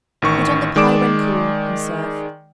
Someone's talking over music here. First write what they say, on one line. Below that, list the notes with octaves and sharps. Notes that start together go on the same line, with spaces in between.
Put on the pie when cool and serve.
A1 D#3 C#6
D#3 G#3 D5 D6 D7 E7